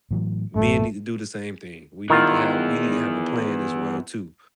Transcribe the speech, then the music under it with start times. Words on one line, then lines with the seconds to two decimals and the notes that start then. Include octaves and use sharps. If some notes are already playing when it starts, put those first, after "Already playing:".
Men need to do the same thing. We need to have we need to have a plan as well too,
0.11 A2 E3 F#3
0.56 A1 F#2 A2 A3
2.10 D#3 E3 B3 F4